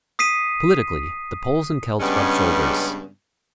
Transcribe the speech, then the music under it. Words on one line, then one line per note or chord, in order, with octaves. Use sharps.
Politically the Poles and Celts rub shoulders.
D#6 B6 C7 D#7
G2 C#3 G3 G#3 B3 C#4